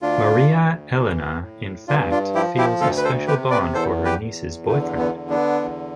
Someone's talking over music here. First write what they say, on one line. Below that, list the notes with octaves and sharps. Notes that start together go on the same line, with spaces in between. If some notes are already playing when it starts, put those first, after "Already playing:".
Maria Elena in fact, feels a special bond for her niece's boyfriend.
D2 D4 F4
D2
E3
A2
G2 D4 F4
D4 F4
F3 E4 G4
E4 G4
D2 F4 A4
B4
A4 C5
C3 G4 B4
B4 D5
E2 A4 C5
G4 B4
E2
D3 A3
B3
D3
B3 D4
E2